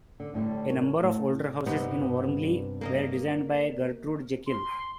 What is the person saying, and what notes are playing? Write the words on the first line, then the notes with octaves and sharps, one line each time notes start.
A number of the older houses in Wormley were designed by Gertrude Jekyll.
D3
A2 D3 G3 A3
A#4 C#5
A2
G2 C3 B3 D#4
A#3 A#4 D#5
C6